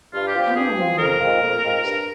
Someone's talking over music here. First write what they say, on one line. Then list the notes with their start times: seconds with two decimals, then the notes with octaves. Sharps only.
"Tell me all you know about him?" I asked.
0.13 G2 F4
0.27 G4
0.34 F3 C4 F4
0.42 G4
0.56 G2 G#4
0.77 F3 C4 F4
0.98 F2 A#4
1.20 D#3 G#3 C4 F4
1.41 F2
1.62 D#3 G#3 C4 F4
1.84 G2